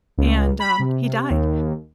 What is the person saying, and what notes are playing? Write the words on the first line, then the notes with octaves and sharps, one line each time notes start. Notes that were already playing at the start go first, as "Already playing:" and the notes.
and, um, he died.
C#2
B5
C3
D#2